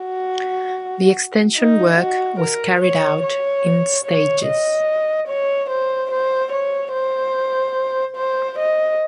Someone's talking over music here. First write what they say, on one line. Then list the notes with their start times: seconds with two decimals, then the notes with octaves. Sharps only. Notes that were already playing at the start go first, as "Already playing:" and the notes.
The extension work was carried out in stages.
Already playing: F#4
1.57 D#4
1.98 F#4
2.40 A#4
2.81 C#5
3.23 C#5
4.05 C#5
4.46 D#5
5.28 C#5
5.70 C5
6.11 C5
6.53 C#5
6.94 C5
8.17 C5
8.59 D#5